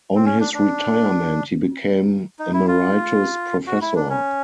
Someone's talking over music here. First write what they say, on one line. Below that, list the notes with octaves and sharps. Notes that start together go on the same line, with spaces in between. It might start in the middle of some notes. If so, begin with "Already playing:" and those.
On his retirement, he became Emeritus Professor.
C4
C#4
D4
D4
D#4
E4
F4
F#4
E4
D4
C#4